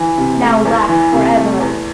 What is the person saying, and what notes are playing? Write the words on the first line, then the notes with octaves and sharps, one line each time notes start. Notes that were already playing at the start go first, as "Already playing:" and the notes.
"Now laugh for ever!"
Already playing: E3
C3
A3
E2
E3
C3
A3
E2